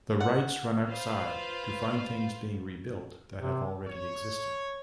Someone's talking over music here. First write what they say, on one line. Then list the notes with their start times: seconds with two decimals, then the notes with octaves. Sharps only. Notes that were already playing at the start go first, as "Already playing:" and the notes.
The Wrights run outside to find things being rebuilt that have already existed.
0.20 F#5
0.88 F4 B4 C5 F5
3.39 C3
3.88 C#5